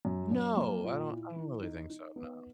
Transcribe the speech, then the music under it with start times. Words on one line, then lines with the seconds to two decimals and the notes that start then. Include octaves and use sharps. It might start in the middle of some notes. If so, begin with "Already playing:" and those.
No, I don't I don't really think so, no.
0.05 F#2
0.31 F#2
0.57 A#3
0.84 A#2
1.10 E4
1.36 E3
1.63 D#4
1.90 D#4
2.16 B3